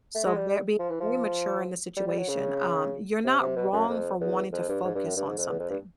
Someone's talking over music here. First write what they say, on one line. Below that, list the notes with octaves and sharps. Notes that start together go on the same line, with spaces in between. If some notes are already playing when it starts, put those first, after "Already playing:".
So, ve being very mature in the situation, um, you're not wrong for wanting to focus on something.
A3
G#3
G3
F3
E3
F3
G3
G3
F#3
C#3
C3
C3
B2
F#2
F2
E2
F2
G2
G#2
G2
F#2
G2
G#2
F2
E2
F2
G2